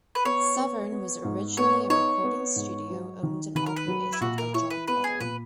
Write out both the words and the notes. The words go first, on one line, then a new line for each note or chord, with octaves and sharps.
Southern was originally a recording studio owned and operated by John Loder.
B4
B3 C#5
B3
B3
G#2
B3 C#5
D#4 C#5
B3
G#2
F#3
D#3
D#3 B4
A#4
B4
F#3
E4
A#2 F#4
A#4
E4 C#5
B4
B3 B4
G#4
A#2 B4